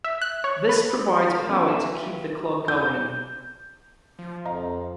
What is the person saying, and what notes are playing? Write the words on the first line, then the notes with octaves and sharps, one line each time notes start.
This provides power to keep the clock going.
E5
F#6
C#5
B4
A4 A#4 F5
F3 B3 C#4
A#4 B4 E5 F5 G#5
F4 G4 B4
F#3
G6
F3
F2 D#5 F5 A#5